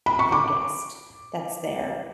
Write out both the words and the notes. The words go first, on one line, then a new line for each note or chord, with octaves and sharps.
other guest that's there
B5
C#6
D6